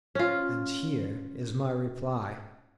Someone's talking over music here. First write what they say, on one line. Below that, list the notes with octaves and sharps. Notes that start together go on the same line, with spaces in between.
"And here is my reply."
C#4 F4